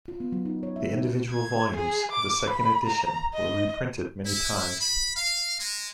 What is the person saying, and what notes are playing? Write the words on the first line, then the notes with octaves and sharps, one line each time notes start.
The individual volumes of the second edition were reprinted many times.
F4
B3
F#3
D#4
C#5
E5
D#4
G#6
G#4
D6
B5
A#5
D#5
E4
B5
F5
G#3